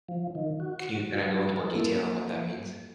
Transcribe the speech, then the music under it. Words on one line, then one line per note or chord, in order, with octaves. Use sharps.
Can you kinda go into more detail on what that means?
F3
D#3
F#4
F#4
A#3 E4 A4